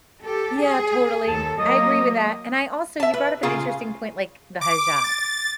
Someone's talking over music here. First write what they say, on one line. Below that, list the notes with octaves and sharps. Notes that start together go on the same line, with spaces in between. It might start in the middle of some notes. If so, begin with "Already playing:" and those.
Yeah, totally. I agree with that. And I also you brought up an interesting point like the hijab.
G4 A4
G#4
D#2 A4 A5
F#3 A#3 D#5
E5 A5
B4
A#2 C#3 F4 G#4
D6
A6